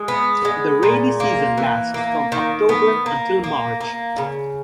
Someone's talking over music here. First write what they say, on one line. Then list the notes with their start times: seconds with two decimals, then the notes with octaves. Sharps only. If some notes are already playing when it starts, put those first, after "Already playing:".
The rainy season lasts from October until March.
Already playing: G#3
0.08 B3
0.45 G#3
0.83 A#2
1.20 A#3
1.58 E3
1.94 A#3
2.32 D#3
2.69 B3
3.06 A#3
3.44 A#3
3.81 A#3
4.18 C#3